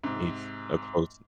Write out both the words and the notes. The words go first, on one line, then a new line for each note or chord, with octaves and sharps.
he's a close
G#2 C3